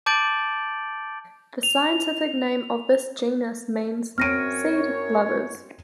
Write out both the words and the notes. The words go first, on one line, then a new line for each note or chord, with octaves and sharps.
The scientific name of this genus means "seed-lovers".
A5 D6 G6 A6 D7 F#7
F7
F#2 C4 C#5 F6 A#6 D7 D#7